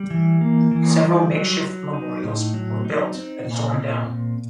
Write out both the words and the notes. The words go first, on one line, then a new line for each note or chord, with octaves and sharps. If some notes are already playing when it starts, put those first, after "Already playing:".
Several makeshift memorials were built and torn down.
Already playing: G3
E3
A#3
E3
G3
F#3
F#3
D#4
A2
F#3
D#4
C4
A#2
C4
A#2